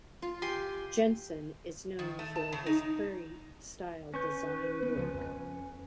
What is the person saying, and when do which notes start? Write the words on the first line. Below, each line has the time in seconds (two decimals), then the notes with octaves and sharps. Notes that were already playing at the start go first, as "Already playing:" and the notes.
Jensen is known for his prairie style design work.
0.22 F4
0.42 G4 G#5 C6
1.99 D#3
2.19 A3
2.35 A5
2.52 C#3
2.66 D#4
4.14 C#4 B4 C#6 G6
4.83 B3
4.96 C#2 C#3 F3
5.14 F2